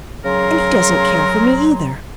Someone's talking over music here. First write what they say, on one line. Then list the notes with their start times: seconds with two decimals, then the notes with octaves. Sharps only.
And he doesn't care for me either.
0.25 C#3 F#3 G#4 A#4 A#5 C6